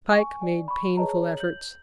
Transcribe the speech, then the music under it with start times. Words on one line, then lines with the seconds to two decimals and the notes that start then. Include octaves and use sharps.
Pike made painful efforts.
0.11 G#5 C#6
0.42 D5 G#5
0.68 B5 C#6
0.97 G#4 B4 C#5 D#5 A5 A#5
1.37 G6 F#7